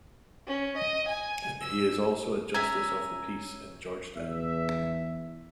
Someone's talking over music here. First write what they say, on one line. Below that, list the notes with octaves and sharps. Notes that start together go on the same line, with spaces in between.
He is also a Justice of the Peace in George Town.
C#4
D#5
G#5
E6
C#4 E5 G#5 A#5 G#6
E2 E5